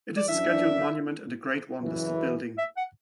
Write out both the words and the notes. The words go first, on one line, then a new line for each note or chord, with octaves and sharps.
It is a scheduled monument and a Grade One listed building.
D5
F#2 E3 D4 E5
F#1 F#2 E3
E5
F#5